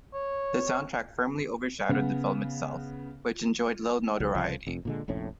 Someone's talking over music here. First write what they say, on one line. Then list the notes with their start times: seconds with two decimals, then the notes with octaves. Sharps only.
The soundtrack firmly overshadowed the film itself, which enjoyed little notoriety.
0.14 C#5
1.89 C#3 B3
4.20 C#2 F#3
4.35 C2 C#3 F3
4.67 F1 F2
4.85 A#2 D3 G#3
5.08 F1 A#1 A2 C#4